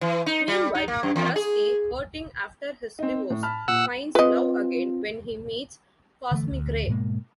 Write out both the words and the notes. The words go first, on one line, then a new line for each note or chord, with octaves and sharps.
Meanwhile, Rusty, hurting after his divorce, finds love again when he meets Cosmic Rae.
E3
D#4
G3
D#4
A#3
F#2
E2
G#4
C4 D#4
A2
A5 B5 F6
A#2 F#5 E6
C4 F4 B4 D#5
D3 E3 A3
D2
G#2 B2 G#3 A#3